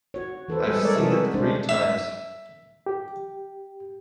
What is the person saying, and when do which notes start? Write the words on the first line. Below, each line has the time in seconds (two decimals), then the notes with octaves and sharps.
I've seen it three times.
0.14 F#4 C#5
0.48 E3 A4 B4 C5
0.66 G3 G#3 G#4 A4 B4
0.83 A4 A#4 C#5 D5
0.95 C3 F#3 F#4 G#4 A4 E5
1.34 G#3 D4 C5
1.69 E5
2.86 G4